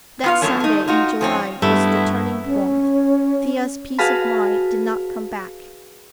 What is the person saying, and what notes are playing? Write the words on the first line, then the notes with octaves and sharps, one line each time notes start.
That Sunday in July was the turning-point; Thea's peace of mind did not come back.
B3 F4 F5
F#2 A#2 F#3 A3 A#3 C#4
A3 D#4
D#4 F4 F#4
F2 C4 C#4
G2 A3 B3 E4
C#4
F#4 G#4 B4 F5 A5 B5